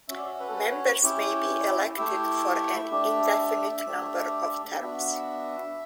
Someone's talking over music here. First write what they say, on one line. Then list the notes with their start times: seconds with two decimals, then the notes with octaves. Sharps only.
Members may be elected for an indefinite number of terms.
0.08 C#4 F#4 E5
0.17 D5
0.25 E5
0.40 B4
0.48 A4
0.56 B4
0.72 C#5
1.03 C#4 E4 G4
1.98 A3 E4 G4 E5
2.91 A3 D4 G4
3.87 A3 D4 G4
4.80 B3 D4 F#4 E5